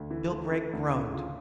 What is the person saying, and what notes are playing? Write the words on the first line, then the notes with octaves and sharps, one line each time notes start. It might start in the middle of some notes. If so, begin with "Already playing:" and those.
Bill Gregg groaned.
Already playing: D2
E3
A3
E3
D2
C#3
F4